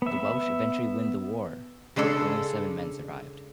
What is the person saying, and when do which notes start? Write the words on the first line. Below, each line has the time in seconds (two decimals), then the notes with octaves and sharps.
The Welsh eventually win the war, but only seven men survived.
0.02 B3 E5
1.96 C#3 G#3 D4 A4